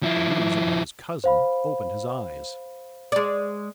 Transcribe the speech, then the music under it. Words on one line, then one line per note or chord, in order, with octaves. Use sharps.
The news about his cousin opened his eyes.
F3 E4
C5 F5 B5
G#3 D5